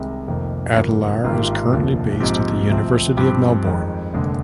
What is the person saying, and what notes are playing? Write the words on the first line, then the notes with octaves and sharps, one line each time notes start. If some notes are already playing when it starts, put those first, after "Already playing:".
Adelaar is currently based at the University of Melbourne.
Already playing: C2 C3 D#3 G#3
F1 F2 D#3 A#3
G1 G2 F3 A#3
G#1 G#2 D#3 A#3 F4
G4
F4
F1 D#2 D3 F3
A#1 G#2 F3 C4 G4
D2 C3 F3 C4
G2 F3 C4 G4
F2 D#3 G#3
F1 D#2 D3 G#3 G#4